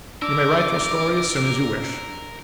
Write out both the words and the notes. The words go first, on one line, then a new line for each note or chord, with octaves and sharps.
You may write your story as soon as you wish.
D4 A#4 D6 E6